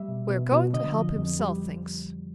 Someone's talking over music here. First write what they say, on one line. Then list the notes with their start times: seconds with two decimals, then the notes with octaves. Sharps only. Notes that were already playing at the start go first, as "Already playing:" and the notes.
"We're going to help him sell things."
Already playing: G3 E5
0.08 B2
0.29 B2
0.52 B2
0.73 D3 D#5
0.95 F3
1.16 F2
1.39 G3